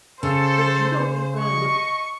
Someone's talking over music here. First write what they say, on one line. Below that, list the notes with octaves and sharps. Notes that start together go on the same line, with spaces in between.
But you don't even look at
C#3 A4 C5
D#5 C#6